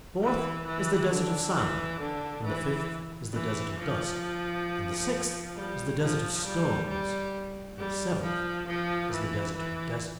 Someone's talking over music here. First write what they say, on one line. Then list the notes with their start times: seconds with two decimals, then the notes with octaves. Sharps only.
The fourth is the desert of sand, and the fifth is the desert of dust, and the sixth is the desert of stones, and the seventh is the Desert of Deserts.
0.23 E3
0.67 E3
1.11 D3
1.56 E3
2.00 D3
2.44 E3
3.33 E3
3.78 F3
5.55 G3
6.00 F3
6.45 G3
6.89 G3
7.78 G3
8.22 F3
8.66 F3
9.11 E3
9.56 E3